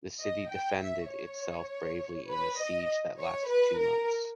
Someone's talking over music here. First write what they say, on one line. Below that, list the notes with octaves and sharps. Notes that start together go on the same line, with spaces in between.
The city defended itself bravely in a siege that lasted two months.
D#5
G5
E5
C#5
B4
D#5
C#5
B4
A#4